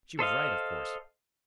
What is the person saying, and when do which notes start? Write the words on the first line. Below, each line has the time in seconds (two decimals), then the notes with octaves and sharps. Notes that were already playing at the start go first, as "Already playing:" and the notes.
She was right, of course.
0.19 A4 C5 D#5 F5